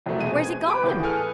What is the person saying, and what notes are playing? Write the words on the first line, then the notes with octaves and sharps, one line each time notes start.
Where's he gone?
C2 F2 F3 F#3 A3 A#3
B2 G#3 C4 D#7
G#6
G4 B5 D6 D7
A1 E2 A2 E3 D#6 G6
G#4 A4 B4 G#5 D#6 F6